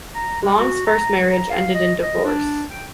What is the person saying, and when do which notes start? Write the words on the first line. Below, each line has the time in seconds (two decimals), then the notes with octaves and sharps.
Long's first marriage ended in divorce.
0.14 A#5
0.41 G#3
0.59 F#4
0.86 A#5
1.31 A#5
1.50 F5
1.74 D#5
2.02 D#5
2.24 D4
2.71 G5